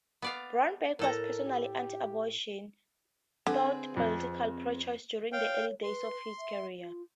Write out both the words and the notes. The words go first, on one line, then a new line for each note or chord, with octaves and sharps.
Brownback was personally anti-abortion though politically pro-choice during the early days of his career.
B3 D5 F5
A2 A4 A#4 A#5
G4
D3 C4 G#4 B4
F2
C#5 F5 G5
B4 C6
E5
F4